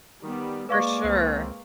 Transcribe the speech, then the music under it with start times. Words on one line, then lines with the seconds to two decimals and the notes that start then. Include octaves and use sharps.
For sure.
0.23 D#3 G3 B3
0.69 G#3 A#3 B4 D5 F5 C#6
1.04 C#2 C4